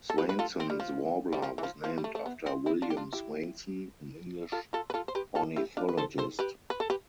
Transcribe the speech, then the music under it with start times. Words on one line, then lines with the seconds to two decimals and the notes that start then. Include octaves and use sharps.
Swainson's warbler was named after William Swainson, an English ornithologist.
0.10 A4
0.18 G4 B4
0.29 B4
0.39 F4 A4
0.60 C4
0.70 G3
0.80 F3
1.33 G3
1.42 F3
1.58 E3
1.63 F3
1.84 F3
1.98 G3
2.04 A3
2.15 A3
2.26 B3
2.46 C4
2.66 C4 E4
2.82 D4 F4
2.90 G4
2.97 D4 F4
3.13 E4 G4
4.52 F4 A4
4.73 F4 A4
4.90 B4
4.94 F4 A4
5.08 C5
5.15 G4 B4
5.35 F4 A4
5.56 E4 G4
5.77 D4 F4
5.89 B4
5.97 A4 C5
6.18 A4 C5
6.39 G4 B4
6.70 B4
6.80 A4
6.90 G4 B4